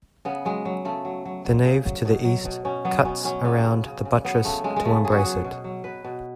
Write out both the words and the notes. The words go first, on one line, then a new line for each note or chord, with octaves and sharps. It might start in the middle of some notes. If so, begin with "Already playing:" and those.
The nave to the east cuts around the buttress to embrace it.
C#3 B3
F#3 G#3
F#3
C#3 A3
F#3
F#3
F#3
C#3
F#3
B2
F#3
B2
B2 C#4
F#3 B3
B2 C#4
F#3 C#4
C#3 B3
C#3
C#3
C#3
F#3 B3
C#3 A3
C#3 G#3
G#3
C#3 A3
F#3 G#4
F#4
G#4
F#3
B2
F#3
B2 B4
B2